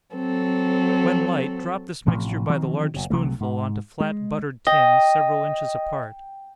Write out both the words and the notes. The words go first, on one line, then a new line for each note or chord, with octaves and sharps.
When light, drop this mixture by the large spoonful on to flat, buttered tins, several inches apart.
F#3 C4 A4
A1 A2 C3 F3
D#3 F3 F#3 C4
F#1 B2
C2 C3 F#3 A3
G#2
G#3
D#5 G5